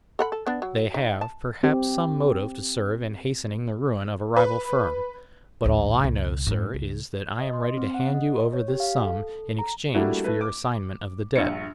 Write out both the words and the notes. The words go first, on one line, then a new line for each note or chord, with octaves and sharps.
They have, perhaps, some motive to serve in hastening the ruin of a rival firm. But all I know, sir, is, that I am ready to hand you over this sum in exchange for your assignment of the debt.
A4 F#5 B5
A4
B3 D4
F#3
D#4
A5
C4 G4
B4
A1 D2
C#2 B2
F2 G#2
C#2
D#5
C6
C4
F#5
D#5
C#5
G4
F5
A4
A#5
G3 A3 A#3 D4 E4 F#4
A3 B4
D6
A#1 G2 C#7